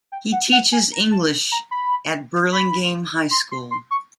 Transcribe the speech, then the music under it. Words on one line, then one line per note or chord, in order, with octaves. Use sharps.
He teaches English at Burlingame High School.
G5
F#5
F#5
G#5
A#5
A5
A#5
B5
B5
C6
C6
C6
C#6